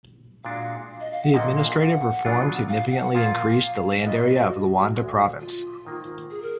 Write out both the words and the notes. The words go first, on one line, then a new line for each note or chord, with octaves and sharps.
The administrative reform significantly increased the land area of Luanda Province.
A#2 G#3 D4 F#4 F5
D#5
F5
F#5
A#2 F3 A#3 D4 D#5
F5
F#5
B2 F#3 D4 F4
F5
F#5
A#2 F3 A#3 F4 F5
A#2 F#3 B3 F4 D#5
D#5
F#4
D2 D3 G#3
F4
G#2 D#3 A#3
G#4
A#4